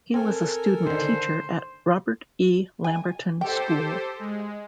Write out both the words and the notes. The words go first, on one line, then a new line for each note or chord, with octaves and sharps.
He was a student teacher at Robert E. Lamberton School.
C4 A4 A#4 G#5
D3 D#3 C5
G#5
G4 A4 C5 G5
G#3